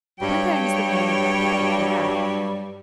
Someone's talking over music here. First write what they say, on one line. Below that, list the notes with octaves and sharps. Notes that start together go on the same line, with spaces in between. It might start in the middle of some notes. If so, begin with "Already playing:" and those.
Blenkiron's the man you've got to thank for that.
G2 F#3 G3 C#5 G5